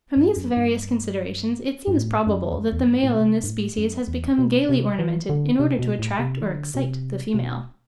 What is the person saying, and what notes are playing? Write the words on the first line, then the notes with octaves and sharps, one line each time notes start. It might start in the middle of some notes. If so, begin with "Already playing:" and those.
From these various considerations it seems probable that the male in this species has become gaily ornamented in order to attract or excite the female.
G2
F#2
G2
G2
A2
F#2
E2
F#2
E2
F#2
G2
A2
B2
C3
G2
A2
F#2
E2
B2
C3
E3
D3
C3
B2
A2
C3
E3
D3
B2
C3
C3
B2